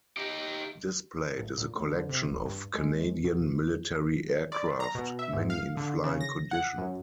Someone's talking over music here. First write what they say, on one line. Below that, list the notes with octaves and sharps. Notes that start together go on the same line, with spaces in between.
Displayed is a collection of Canadian military aircraft, many in flying condition.
D#4 G4
A1
A#2
A2
D3
C3
D1
G2
G#3
B2
D5
A#5
B2
E5
G#2
F5
D3
C#3
A#6
F#5
F#2